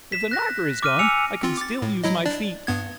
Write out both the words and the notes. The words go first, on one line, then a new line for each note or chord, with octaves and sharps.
"If the knocker is gone, I can still use my feet."
B6 E7
F#6 A#6
D6 F6 D#7
G#5 E6 C#7 F7
C4 F4
D6 A6
A2
F#3 E4 D#5
D4 D5
G2 B3 G#6